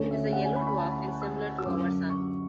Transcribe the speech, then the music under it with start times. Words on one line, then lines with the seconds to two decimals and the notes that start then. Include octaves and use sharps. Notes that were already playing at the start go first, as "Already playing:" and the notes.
It is a yellow dwarf and similar to our Sun.
Already playing: D2 D3 A3 C#4 C#5
0.11 E5
0.33 F#5
0.45 G#5
0.56 B5
0.61 C#6
0.67 B5
0.78 A5
0.92 B5
1.07 B5
1.22 E6
1.58 E6
1.66 F#2 D3 F#3 D6
2.10 C#6